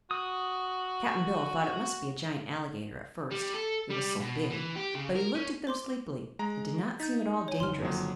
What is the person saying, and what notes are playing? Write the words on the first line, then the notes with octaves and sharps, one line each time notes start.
Cap'n Bill thought it must be a giant alligator, at first, it was so big; but he looked at them sleepily and did not seem at all dangerous.
F#4 D#6
G3
A4
G3
B2
E3
G4
C#3
A#4
C#4
C5 C6 D6
G#3 A#5
D#4 G6 A6 B6
C#5 G#5
F#1 D3 D#3 C6 F6
F2 A#2 F#3